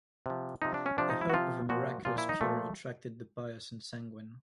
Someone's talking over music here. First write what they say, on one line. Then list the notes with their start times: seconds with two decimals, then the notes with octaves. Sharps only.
The hope of a miraculous cure attracted the pious and sanguine.
0.26 C3 F3
0.62 C3 F3 D#4
0.74 D4
0.86 C#4
0.98 C3 F3 D4
1.10 D#4
1.21 E4
1.30 F#4
1.33 C3 F3 F4
1.69 A#2 F3 F#4
2.05 A#2 F3 F4
2.18 E4
2.29 D#4
2.41 A#2 F3 A3